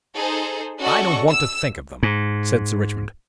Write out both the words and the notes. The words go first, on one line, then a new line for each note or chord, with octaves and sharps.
"I don't want to think of them," said Sir Richmond.
D#4 G#4 A4 C5
C#4 F#4 A4 D5 D#5 C#6
E6
G#2